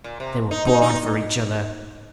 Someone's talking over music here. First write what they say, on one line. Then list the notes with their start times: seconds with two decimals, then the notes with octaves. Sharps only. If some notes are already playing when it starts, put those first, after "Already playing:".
They were born for each other.
0.04 A#2
0.20 C3
0.51 D#4
0.67 D#4
0.82 D#4